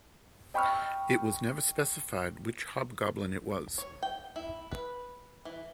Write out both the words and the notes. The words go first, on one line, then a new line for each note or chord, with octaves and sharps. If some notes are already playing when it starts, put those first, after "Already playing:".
It was never specified which Hobgoblin it was.
D#5 G5 B5 C#6 E6 F6
C#5
G5
E4
B4
E3